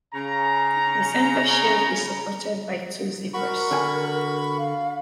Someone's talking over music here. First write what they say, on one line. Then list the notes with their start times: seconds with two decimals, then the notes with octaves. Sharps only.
The centre shield is supported by two zebras.
0.14 C#3 A#5
3.34 F#4 A#4 B5 C#6
3.71 D3 G#5
4.58 F5